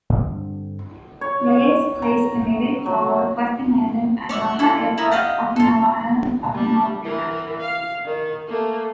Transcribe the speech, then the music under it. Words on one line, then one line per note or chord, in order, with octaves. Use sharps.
Reyes placed the Mayday call, requesting landing at Naha Airport, Okinawa Island, Okinawa Prefecture.
G2 D3 C4
C#5
A#5
F#3
C#5 D5 E5 F#5
E4 F4 A4
E4 A#4 D#6
G4 D#5 F5 F#5
F4 A4
G3 D4
E3 A#4
F5
D#3
A3 A#3